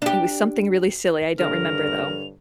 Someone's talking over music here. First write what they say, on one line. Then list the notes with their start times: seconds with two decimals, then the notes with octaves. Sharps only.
It was something really silly, I don't remember, though.
0.02 D4 G4
1.39 G2 D3 A#4 C#5 F7